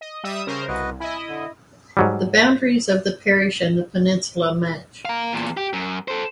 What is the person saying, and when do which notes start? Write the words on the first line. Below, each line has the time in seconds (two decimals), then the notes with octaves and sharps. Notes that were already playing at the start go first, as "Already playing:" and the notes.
The boundaries of the parish and the peninsula match.
0.01 D#5
0.23 G3 E5 D#6
0.47 C#3 C#4 A#4 C5
0.68 C2 F#4 B4 D#5
1.00 E4 D#5 G#5 B5
1.28 D3
1.97 G#2 F#3 G3
5.05 F5 A#5
5.33 E2 A#2
5.57 G4
5.73 F#2
6.08 A4 C5